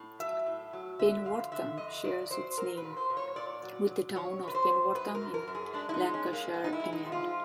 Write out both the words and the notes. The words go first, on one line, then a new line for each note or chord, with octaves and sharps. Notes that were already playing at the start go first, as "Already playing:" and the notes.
Penwortham shares its name with the town of Penwortham in Lancashire, England.
Already playing: A2
F#3 E5
A2
F#3
D3 E5
F2 F5
D3 E5
F2 D#5
F2 D5
F#3 C5
F#3 A#4
B4
A#2
C5
A#2
C#5
A#2 D5
F#3
F#3
D#3 C#5
F#2
B4
C5
F#2
F#3 B4
A#4
F#2
A#4
F#2
G#4
G#3 D4
E4
D#4
G#3
C#4
G#3
A#3
G#3 B3
D#4
E4
G#3
D#4
F3
F4